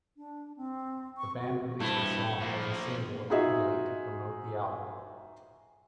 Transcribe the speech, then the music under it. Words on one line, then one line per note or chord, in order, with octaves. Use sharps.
The band released the song as a single in Italy to promote the album.
D4
C4
C#6
F#4
G2 A3 C4 E4
F3 A#3
D#4 F4 F#4 G#4 D#5 E5